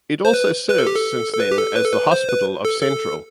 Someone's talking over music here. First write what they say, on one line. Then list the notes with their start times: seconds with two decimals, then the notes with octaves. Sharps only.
It also serves since then as the hospital of Central.
0.25 C5
0.33 B4
0.69 B4
0.78 A4
0.87 G4
0.96 A4
1.33 A4
1.40 B4
1.51 G4
1.58 A4
1.76 B4
1.84 A4
1.93 B4
2.11 C5
2.29 B4
2.65 A4
2.82 A4